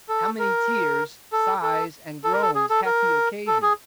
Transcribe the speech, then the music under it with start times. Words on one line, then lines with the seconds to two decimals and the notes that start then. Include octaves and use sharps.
How many Tears, Sighs and Groans hath he occasion'd?
0.09 A4
0.39 A#4
1.32 A4
1.63 A4
2.24 A4
2.33 A#4
2.42 A4
2.55 G#4
2.70 A4
2.86 A#4
3.47 A4
3.62 G#4